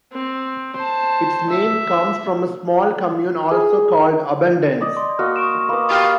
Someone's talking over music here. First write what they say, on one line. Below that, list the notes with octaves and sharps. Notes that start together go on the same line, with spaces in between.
Its name comes from a small commune also called Abondance.
C4
C5 A5
E5
G#4
D5 D#5
C6
A#3 F#4 D#5 F6
C#6 D7 E7
A#3 B4 B5 D#6
G4 F5